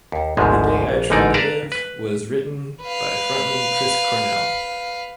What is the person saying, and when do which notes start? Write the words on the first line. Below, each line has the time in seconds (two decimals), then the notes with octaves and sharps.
"The Day I Tried to Live" was written by frontman Chris Cornell.
0.12 D#2
0.37 G#1 D2 G#2 B2 F3 G#3
0.89 A#1
1.10 A1 G#2 D3 D#4 A#4 D5
1.34 A#4 B4 D5 F5 A5 A#5
1.72 B4
2.83 B4 F5